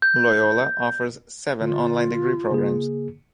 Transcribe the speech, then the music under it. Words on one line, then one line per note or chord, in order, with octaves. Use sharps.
Loyola offers seven online degree programs.
G6
D3 F4
C#3 A#3 G#4